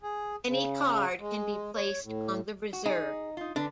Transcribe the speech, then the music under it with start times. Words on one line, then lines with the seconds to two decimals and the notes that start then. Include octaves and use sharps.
Any card can be placed on the reserve.
0.03 G#4
0.47 C#3
1.20 G#3
1.75 C#5
2.03 A2
2.73 F#4
2.86 D#4 G#4
3.37 D#4 F4
3.56 D3 D4 B4